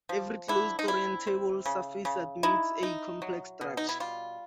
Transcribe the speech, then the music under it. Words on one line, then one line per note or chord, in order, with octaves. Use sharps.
Every closed orientable surface admits a complex structure.
F3
D3 E4
D#4
C4 E4
C4
C#3
C#3
D#4 E4
D#4
F#3
B2
D#4
E4
G3 F4